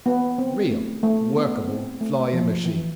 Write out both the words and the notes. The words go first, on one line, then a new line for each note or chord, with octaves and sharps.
Real, workable, flying machines.
B3
C4
A3
A3
B3
C4
A3
F3
E3